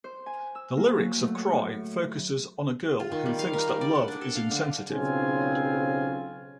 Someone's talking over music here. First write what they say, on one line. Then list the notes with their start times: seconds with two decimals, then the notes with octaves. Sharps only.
The lyrics of "Cry" focuses on a girl who thinks that love is insensitive.
0.04 C5
0.26 G#5
0.55 E6
0.77 A#3
0.98 F#3
1.22 A3
1.35 C#5
1.52 A2
3.00 F4
3.12 D#3
3.26 G3
3.39 F5
3.53 A#4
3.69 G3
3.81 D5
3.95 F#5
4.08 D4
4.21 A4
4.35 F5
4.51 D3
4.90 B1 C#3 C4 F4 G#5